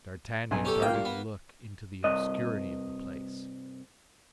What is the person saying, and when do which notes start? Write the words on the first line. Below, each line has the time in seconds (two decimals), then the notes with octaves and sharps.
D'Artagnan darted a look into the obscurity of the Place.
0.51 B1 G#5
0.65 C#4 G4 A4
0.82 A#3 F4 G5
0.94 G2
1.05 B3
2.04 C2 G2 D#5